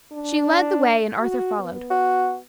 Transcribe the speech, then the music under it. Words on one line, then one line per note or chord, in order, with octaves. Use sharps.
She led the way and Arthur followed.
D4
F#4
B3
F#4